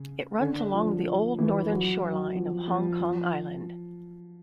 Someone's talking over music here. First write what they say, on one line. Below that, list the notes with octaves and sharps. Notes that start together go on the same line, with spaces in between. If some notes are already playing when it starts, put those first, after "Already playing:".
It runs along the old northern shoreline of Hong Kong Island.
Already playing: C#3
D3
F3
E3
F#3
F#3
F3
F3
F3